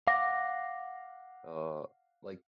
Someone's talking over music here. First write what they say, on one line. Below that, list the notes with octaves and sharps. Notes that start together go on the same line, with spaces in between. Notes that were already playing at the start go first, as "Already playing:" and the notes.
Uh, like
F5 F#5 D6 A#6